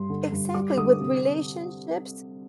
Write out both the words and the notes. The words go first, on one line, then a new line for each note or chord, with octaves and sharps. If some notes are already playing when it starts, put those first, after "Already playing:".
Exactly with relationships.
Already playing: G2 C6
D3
G2
G3 D6
D3 D#6
C3